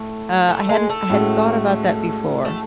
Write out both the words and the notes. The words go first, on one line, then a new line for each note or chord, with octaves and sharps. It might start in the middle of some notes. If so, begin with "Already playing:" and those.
Uh, I hadn't I hadn't thought about that before.
Already playing: A2 A3
A3
G#3
A3
A2 G#3 C#4 F#4
A3